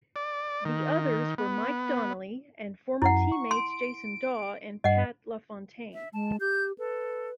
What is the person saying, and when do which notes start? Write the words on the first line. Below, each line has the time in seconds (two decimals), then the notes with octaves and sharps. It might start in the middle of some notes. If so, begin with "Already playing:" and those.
The others were Mike Donnelly and former teammates Jason Dawe and Pat LaFontaine.
0.16 D5
0.65 D#3
1.38 B3
3.02 F#2 E4 F#5
3.32 C#6
3.51 C6 D7
4.84 G2 D#5 F#5
5.93 E5
6.14 G#3 A5
6.40 G4 G6
6.78 A4 B4